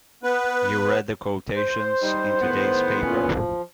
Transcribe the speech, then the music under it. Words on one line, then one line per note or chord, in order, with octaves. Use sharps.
You read the quotations in today's paper.
B3 B4
C5
G3 D#4
A2 D#3 B3
A#2 C#4
F3